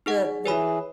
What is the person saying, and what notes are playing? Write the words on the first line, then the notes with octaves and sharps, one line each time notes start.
the the
D#4 G#4 F#5
E3 G#4 B4 C#5 B5